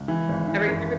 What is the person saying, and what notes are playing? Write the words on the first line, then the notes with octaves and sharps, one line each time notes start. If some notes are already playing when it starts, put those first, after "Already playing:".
Every every
Already playing: C#2
E3
G#1
E3
F#2